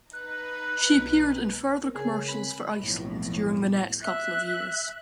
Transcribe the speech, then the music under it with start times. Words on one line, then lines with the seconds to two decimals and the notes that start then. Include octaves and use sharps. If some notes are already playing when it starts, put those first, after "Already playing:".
She appeared in further commercials for Iceland during the next couple of years.
0.13 D#4 B4 F#6
0.90 B1
1.83 A#4
1.95 C#3 G#4
2.28 G#3 C4 B5
2.78 B1 F2 A2
4.02 E5 F#6